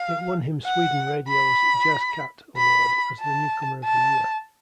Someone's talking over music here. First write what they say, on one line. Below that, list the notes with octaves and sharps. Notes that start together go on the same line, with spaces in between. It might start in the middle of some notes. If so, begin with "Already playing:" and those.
It won him Sweden Radio's Jazz Cat award as the newcomer of the year.
Already playing: F5
F#5
B5
B5
A5
A5